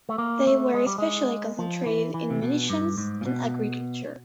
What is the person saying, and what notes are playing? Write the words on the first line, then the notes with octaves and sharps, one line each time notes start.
They were especially concentrated in munitions and agriculture.
A3
A#3
A3
G#3
G3
G#3
F3
E3
E3
C3
B2
G2
G#2
A#2
B2